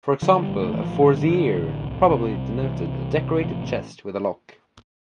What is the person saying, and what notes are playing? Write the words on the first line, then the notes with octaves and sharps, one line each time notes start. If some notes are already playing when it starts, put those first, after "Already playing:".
For example, a "forziere" probably denoted a decorated chest with a lock.
D3 F3
G3
A1
A3
A1 E3
F3
G2 D3
D3
A1
C2
C3
C2
C3 E3
C2
C3
A1 F3